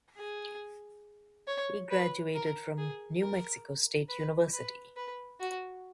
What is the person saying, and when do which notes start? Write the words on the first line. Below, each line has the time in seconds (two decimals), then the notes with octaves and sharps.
He graduated from New Mexico State University.
0.17 G#4
1.47 C#5
1.91 B4
2.35 A#4
2.78 G#4
3.22 A#4
4.09 B4
4.53 B4
4.96 B4
5.40 F#4